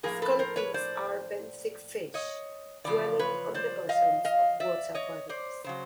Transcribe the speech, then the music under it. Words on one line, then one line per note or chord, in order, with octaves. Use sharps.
Sculpins are benthic fish, dwelling on the bottoms of water bodies.
A2 F3 A#3 G#4 A#4
A4 B4
A#4 C5
B4 C#5
C5 D5
C#5 D#5
E2 C#3 F3 D5
B4 C#5
C5 D5
D#5 F5
D#5 F5
D5 E5
C#5 D#5
C5 D5
C#3 F#3 C5